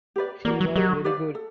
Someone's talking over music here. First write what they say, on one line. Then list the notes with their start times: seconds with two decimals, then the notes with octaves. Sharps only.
She was very good.
0.16 G4 B4 D5
0.45 A#3 F#4 A#4 D5
0.60 F#3
0.76 F#3 G4 A#4 D#5
1.04 G4 B4 D5 F5
1.35 A4